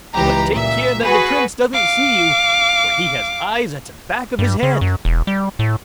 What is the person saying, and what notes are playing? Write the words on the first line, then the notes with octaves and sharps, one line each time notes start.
But take care that the Prince doesn't see you, for he has eyes at the back of his head.'
C#2 E3 G4 A#5
A#2 E5
F#4 G#4 B4
F5 D6
G2
C#3
F#2
E1
G3
A2